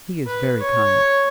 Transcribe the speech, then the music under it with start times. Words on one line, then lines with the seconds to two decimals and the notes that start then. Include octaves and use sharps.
"He is very kind."
0.27 B4
0.60 C#5